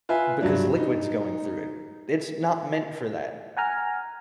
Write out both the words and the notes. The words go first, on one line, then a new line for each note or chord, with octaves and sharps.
because liquids going through it. It's not meant for that.
F4 B4 E5 G#5
G2 F#3 D4
D#4
F#5 G#5 A#5 F6